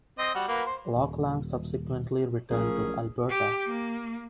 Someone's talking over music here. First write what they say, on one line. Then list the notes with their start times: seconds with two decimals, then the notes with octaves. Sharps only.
Lauchlan subsequently returned to Alberta.
0.19 C4 D#5
0.35 G3 F#4
0.48 A#3 F#4 B4
0.66 C5
0.96 D#1
2.50 B1 F3 A3 C#4 G#4 A#4
3.30 G4
3.67 A#3